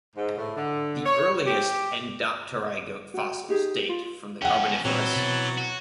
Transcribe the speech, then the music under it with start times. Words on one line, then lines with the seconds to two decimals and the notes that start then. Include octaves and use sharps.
The earliest endopterygote fossils date from the Carboniferous.
0.16 G#2
0.37 A2
0.56 D3
1.06 C#5
1.47 G4
3.14 F#4 G5
3.49 D#4 G4 G#4
3.89 F4
4.42 F3 C#4 F#5 G5
4.85 A#2 E3 F#3 C4
5.16 B2 A6
5.58 F#4